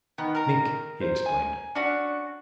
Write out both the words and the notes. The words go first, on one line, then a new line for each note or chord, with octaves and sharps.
"Mink!" he explained.
D#3 B3
A#4 A#5
C5
G#5
C#4 D4 F#4